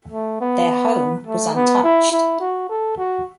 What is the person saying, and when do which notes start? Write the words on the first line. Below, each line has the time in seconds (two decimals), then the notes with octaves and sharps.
Their home was untouched.
0.12 A3
0.41 B3
1.27 A3
1.55 B3
1.83 E4
2.12 E4
2.40 F#4
2.69 A4
2.98 F#4